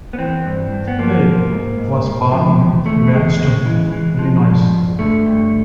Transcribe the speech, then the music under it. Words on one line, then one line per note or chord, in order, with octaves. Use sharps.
Hale was born in Evanston, Illinois.
B3
E3 C4
G2
G2
B3
F3 A#3
G#2
G#2
G#2
G#2
F3
E2
E2 A3
E2 G#3
C#3 G#3
E3
E3
F3
G2
G2
D3 A3
G2